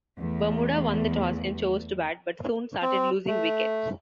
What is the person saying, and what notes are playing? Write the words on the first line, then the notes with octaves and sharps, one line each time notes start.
Bermuda won the toss and chose to bat, but soon started losing wickets.
E2 A3
C4
A3